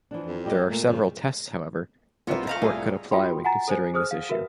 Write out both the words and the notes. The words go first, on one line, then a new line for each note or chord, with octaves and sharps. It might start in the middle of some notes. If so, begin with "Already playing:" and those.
There are several tests, however, that the court could apply when considering this issue.
E3 F3 D4
F2
G3 G4 D#5
A#2 A3
G2 C#3 F3 F4
C2 B3 C4 F4 A#4 B4 C#7
A3 D#5 F5 A#5
C2 A2 G3 G#4 G#5
F4 F#4 A4 G5 B5 C6
F#5 G#5 A#5 A6
A4 C5 G#5
G#4 C5 D#6 F6
F5
F#4 A#4 B4 E5